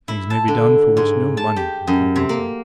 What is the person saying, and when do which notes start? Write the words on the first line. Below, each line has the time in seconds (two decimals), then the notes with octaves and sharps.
Things may be done for which no money can compensate.
0.08 E4
0.30 A5
0.48 D3
0.97 G#2
1.37 A5
1.56 G4
1.87 F#2
2.16 C3
2.29 A#3